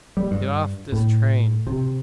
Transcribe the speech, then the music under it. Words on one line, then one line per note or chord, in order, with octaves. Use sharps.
"Get off this train."
G3
G2
A2
C3